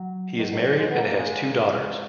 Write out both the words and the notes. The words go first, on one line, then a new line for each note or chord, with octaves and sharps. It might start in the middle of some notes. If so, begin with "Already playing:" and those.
He is married and has two daughters.
Already playing: F#3
D#3
D#3
E3
G#3
B3
A#3
G#3